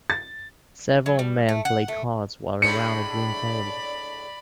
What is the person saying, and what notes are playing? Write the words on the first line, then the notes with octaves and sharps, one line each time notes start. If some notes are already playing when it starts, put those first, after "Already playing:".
Several men play cards while around a green table.
A6
F#3
G3
A3
F#5
A3
A2 G#3 D4 D5 B5 C#7